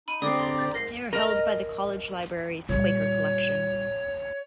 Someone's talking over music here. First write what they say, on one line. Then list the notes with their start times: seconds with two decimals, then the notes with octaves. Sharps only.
They are held by the college library's Quaker Collection.
0.08 D#4 B5 D#7
0.22 D3 C4 G4 D5 A#5 D#6
0.39 C6 A6
0.58 G6 A6
0.74 G#2 A#4 A#6 C7
1.13 A#4 D#5
2.69 A#2 G3 C#5